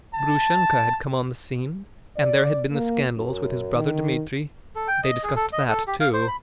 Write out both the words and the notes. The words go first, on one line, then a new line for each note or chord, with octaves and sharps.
Grushenka had come on the scene, and there had been the scandals with his brother Dmitri--they discussed that, too.
A5
D5
A#3
F#2
D#3
A4
G5
D#5
G#4
A4
D#5
A4
G4
F5
C5
B5